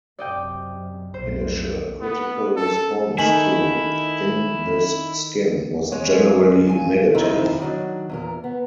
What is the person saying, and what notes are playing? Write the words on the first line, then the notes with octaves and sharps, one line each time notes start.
Initial critical response to "In This Skin" was generally negative.
F#2 C3 D5 D#5 G5
B1 F2 A2 C5
B3
A4
D#3 A3 D#4 E4 G#5 F#7
G#3 C4 C#5 D#5
G2 G#5
F2 D#3 C4 D#4 E4
D#3 F#3 D4
E2 A#2 A#4
B3